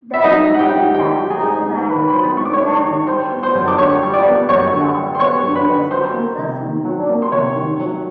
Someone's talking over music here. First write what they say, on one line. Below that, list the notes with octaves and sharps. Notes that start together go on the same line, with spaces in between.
The two taxa were considered subspecies of a single species, before being split.
E5
F#3 D#4 D#5
G#2
F#5
G4 G5
G#2
D#3 G4 G5
F#3
G#4 G#5
G#2
G#2
D#3 B4 B5
B5
F#3 C5 C6
G#2 C#6
D6
C#5 C#6
G#2
C#5 C#6
D#3
G3 C5 C6
B3
C5 C6
F#2
D6
D3 C#5 C#6
G3
D5 D6
B3
F#2 C#5 C#6
D3
G3
C6
B3 C#5 C#6
F#2
B4 B5
D3
F#3 C5 C6
A#3
C3
D#3
F#3
A#3
C6
C3 C#5 C#6
D#3
F#3